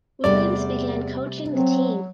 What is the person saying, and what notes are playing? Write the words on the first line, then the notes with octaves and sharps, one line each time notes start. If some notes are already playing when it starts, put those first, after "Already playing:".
Williams began coaching the team.
E2 C3 G3 A3 D5
F#3 C4